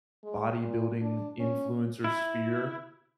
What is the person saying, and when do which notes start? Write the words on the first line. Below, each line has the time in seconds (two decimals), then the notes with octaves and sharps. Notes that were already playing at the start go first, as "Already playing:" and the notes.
bodybuilding influencer sphere
0.24 G#3
0.59 A#2
1.01 D4
1.39 C#4
2.04 E4